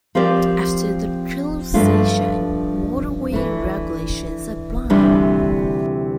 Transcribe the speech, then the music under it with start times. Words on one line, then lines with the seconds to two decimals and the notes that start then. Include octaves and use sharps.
After the toll station, motorway regulations apply.
0.15 F3 C4 G4 A#4 D5
1.74 G2 F3 A3 D4 F4
3.32 E3 A3 D4
4.90 D2 C3 E3 G3 D4